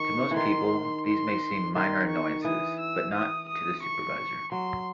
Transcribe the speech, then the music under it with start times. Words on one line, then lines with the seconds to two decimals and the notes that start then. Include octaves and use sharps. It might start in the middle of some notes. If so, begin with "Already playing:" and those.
To most people, these may seem minor annoyances, but not to the supervisor.
Already playing: D#3 C#6
0.31 E3
0.36 D#3 C6
1.06 C6
1.75 D#3 C6
2.10 C#6
2.44 E3 D#6
2.79 E6
3.14 D#6
3.48 D#6
3.83 C#6
4.52 F#3 C6